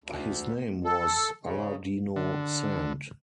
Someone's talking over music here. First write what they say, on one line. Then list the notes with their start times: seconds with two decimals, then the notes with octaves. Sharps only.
His name was Allah Dino Sand.
0.04 D2
0.85 A4
1.43 C#3
2.16 D3